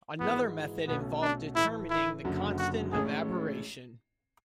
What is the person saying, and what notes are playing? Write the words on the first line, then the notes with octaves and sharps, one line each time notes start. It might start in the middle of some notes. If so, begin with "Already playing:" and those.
Another method involved determining the constant of aberration.
G#1 G#2 E3 G#3 B3
B1 B2 A3 B3 C#4
D4
A2 E3 A3 E4
E4
F#1 F#2 D3 F#3
F#4
A1 A2 G#3 C#4 G#4